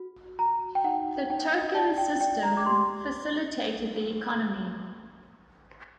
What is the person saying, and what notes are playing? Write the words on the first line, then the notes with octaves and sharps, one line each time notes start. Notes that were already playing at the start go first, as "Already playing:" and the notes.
The token system facilitated the economy.
Already playing: F#4
F#4 A#5
G5
D#4 F#5
D#4 G5
D5 A5
G5
D5 G5
A#5
D6
G4 C6